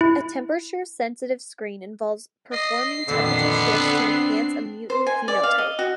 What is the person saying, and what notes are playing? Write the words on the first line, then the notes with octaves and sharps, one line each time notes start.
A temperature sensitive screen involves performing temperature shifts to enhance a mutant phenotype.
E4
D#5 C7
F2 A#2 D3 D#3 B3
C4 D4
C5
G#5
D5
F5
D#5
F#4